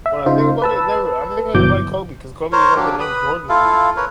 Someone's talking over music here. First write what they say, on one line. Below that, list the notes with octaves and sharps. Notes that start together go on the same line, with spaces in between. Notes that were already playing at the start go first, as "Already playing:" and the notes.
When I think about it, never, I think I just like Kobe because Kobe was like the next Jordan to me.
E5
C#3 D#4 F4 C5
B4 A5 E6
G1 B2 E3 F#3 D6 G6
A#4 C5 C#5
F#3 A#3 D4 G4
B4 B5 D#6
E4 F4 A4 F5
A#4 B4 C#5